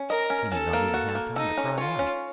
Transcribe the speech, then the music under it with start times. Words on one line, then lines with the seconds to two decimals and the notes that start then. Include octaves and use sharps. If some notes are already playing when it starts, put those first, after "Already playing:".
He did not even have time to cry out.
Already playing: C#4
0.09 A#4 D#5
0.30 C#4
0.51 C#4 A4
0.73 A#3
0.94 F#4
1.15 A#3
1.36 D#4 A4
1.57 C#4
1.78 F4 C#5
1.99 C#4